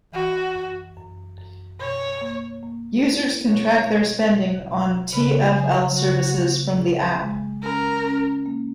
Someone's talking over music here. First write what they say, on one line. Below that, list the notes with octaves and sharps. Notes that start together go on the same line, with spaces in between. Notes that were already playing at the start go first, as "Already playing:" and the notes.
Users can track their spending on TfL services from the app.
E3 F#4
F#2
F#2
F#2
B2 C#5
A#3
A#3
E4
B2 C#5
B2
B2
B2
C#3 B4
F#3 G#4
C#3 F#4
A#3
G#4
G#3
C#4 A#4
C#4
A#3